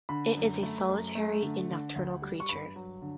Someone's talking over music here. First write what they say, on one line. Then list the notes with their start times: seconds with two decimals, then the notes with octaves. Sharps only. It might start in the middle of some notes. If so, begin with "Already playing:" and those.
It is a solitary and nocturnal creature.
0.09 D3 B5
0.37 F#2
0.63 A3
0.89 F#2
1.15 A3
1.42 D3
1.70 D3
1.96 D2
2.22 G3
2.40 C#6
2.49 G2 B5
2.76 F#3
3.02 D3